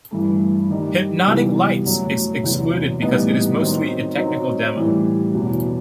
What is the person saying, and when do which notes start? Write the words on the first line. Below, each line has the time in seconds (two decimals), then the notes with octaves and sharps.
"Hypnotic Lights" is excluded because it is mostly a technical demo.
0.11 G2 E3 A3
0.69 D#3 G3 D#4
1.27 C3 E3 G3 B3 F#4
1.85 F#2 F#3 A3
2.44 E2 C3 F#3
3.01 A2 E3 G3 B3 D#4
3.59 D#3 F#3 C4 D#4
4.17 F#3 C4 D#4
4.75 A2 E3 G3
5.33 E2 B2 F#3